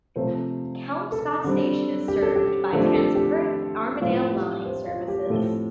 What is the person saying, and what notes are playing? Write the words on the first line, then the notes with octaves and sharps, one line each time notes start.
Kelmscott station is served by Transperth Armadale line services.
C3 F3 A3 C4 C5
A4
D3 G3 C4
G4
A4
G4
D3 F3 A3 C4 G4
A4
G4
A2 F3 C4 F4
G4
C5
F4
G4
A2 F3 A3 C4 A4